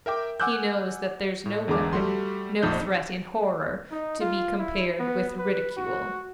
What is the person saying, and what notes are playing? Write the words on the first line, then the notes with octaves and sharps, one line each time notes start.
He knows that there's no weapon, no threat, in horror, to be compared with ridicule.
A#4 E5 G5 D6
F#5 G#5 D6 E6 F#6 G6
A2
E2 D3 G#3 A3 A#5 D6
G3 A3 F#4 C6
A#1 F2 D#4 G6
D#4
F4
E4
B3
B4
F#4